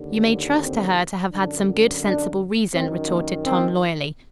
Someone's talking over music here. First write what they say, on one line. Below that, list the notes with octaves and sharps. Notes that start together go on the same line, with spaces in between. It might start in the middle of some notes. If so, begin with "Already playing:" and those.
"You may trust to her to have had some good, sensible reason," retorted Tom loyally.
Already playing: D#2 D3
C4
F#2 D3 D4
D4
F#2 D#3 C4
A#3
C4